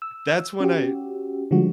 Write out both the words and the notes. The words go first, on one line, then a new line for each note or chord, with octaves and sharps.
That's when I y
E6
C#4 F#4 G4
D3 F3 G3 G#3 F#4